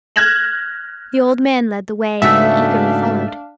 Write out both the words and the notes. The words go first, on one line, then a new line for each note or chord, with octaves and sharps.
The old man led the way, and we eagerly followed.
F6 F#6 G#6 A#6 E7 F#7
G#2 C#3 A3 B3 D4 F#4 E5 F5